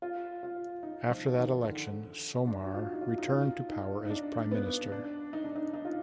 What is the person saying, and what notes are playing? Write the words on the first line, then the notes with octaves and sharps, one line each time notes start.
After that election, Somare returned to power as prime minister.
F4
F4
D#4
F3
D#3
D3
D4
F#4
F4
D#4
F4
D#4
F4
D#4
D#4
D4
B3
D4
D#4
D4
D#4
D#4
F4